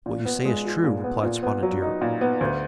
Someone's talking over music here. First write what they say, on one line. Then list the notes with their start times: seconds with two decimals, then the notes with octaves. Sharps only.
"What you say is true," replied Spotted Deer.
0.06 A#2
0.25 B3
0.45 G#3
0.65 F4
0.84 A#2
1.04 B3
1.23 A#2
1.43 B3
1.62 F#3
1.82 D#4
2.01 A#2
2.21 B3
2.41 D2